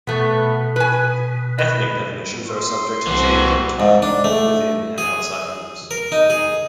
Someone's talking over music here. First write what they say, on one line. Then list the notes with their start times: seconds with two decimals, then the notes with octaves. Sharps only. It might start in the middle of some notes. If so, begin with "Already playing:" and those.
Ethnic definitions are subject to change over time, both within and outside groups.
0.07 B2 A3 B3
0.76 B4 G#5
1.58 B4
2.47 C6
3.07 C2 E3 A#3 C4 F#4
3.80 G#2
4.02 D4
4.24 A3
4.98 G#4
5.91 A#4
6.12 D#4
6.30 G#4